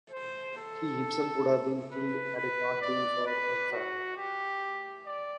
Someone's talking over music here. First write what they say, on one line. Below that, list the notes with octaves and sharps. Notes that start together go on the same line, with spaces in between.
He himself would have been killed had it not been for Elfhelm.
C5
A4
B4
B4
D5
B4
F#4
G4
D5